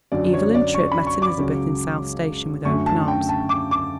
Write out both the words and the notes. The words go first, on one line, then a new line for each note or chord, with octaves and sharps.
Evelyn Tripp met Elizabeth in South Station with open arms.
F#2 D3 F#3 D5
C#5
D5
C#6
B5
C#6
D6
C#2 C#3 F#3 C#4
F#2 D3 F#3 A3 C#4 C#6
A5
G5
A5
D6
D6